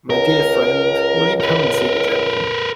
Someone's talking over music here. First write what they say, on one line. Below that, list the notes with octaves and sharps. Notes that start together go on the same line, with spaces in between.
My dear friend, will you come and see the gentleman?
C#2 A#4
A#4 B4